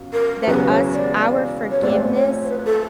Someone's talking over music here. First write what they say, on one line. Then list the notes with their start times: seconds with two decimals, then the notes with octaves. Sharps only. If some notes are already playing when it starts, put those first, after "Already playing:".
that us our forgiveness
Already playing: G1 F#2
0.13 A#4
0.42 C5
0.47 E1 E2 C#3 F#3 B4
0.69 C#5
0.92 D5
1.71 C#5
1.82 A#1 G#2 F3 A3 C4 D5
2.15 C#5
2.45 C5
2.49 B4
2.66 A4